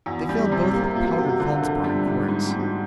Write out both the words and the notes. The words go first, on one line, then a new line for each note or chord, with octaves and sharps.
They failed both with powdered felspar and quartz.
E2 F#4
G3
G4
C3
A#3 G4
A#3 F4
F#4
C3 G4
F#4
D3 F4
D3
G3
G#2
G#2
G#2 G4
F#4